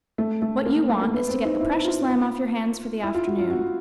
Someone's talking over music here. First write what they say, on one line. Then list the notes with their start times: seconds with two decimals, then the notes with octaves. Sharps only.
What you want is to get the precious Lamb off your hands for the afternoon.
0.18 A3
0.42 A3
0.66 A#3
0.89 A3
1.01 A#3
1.14 B3
1.29 C4
1.45 D#4
1.61 E4
1.84 F4
3.03 E4
3.14 F4
3.27 F#4
3.39 F4
3.50 F#4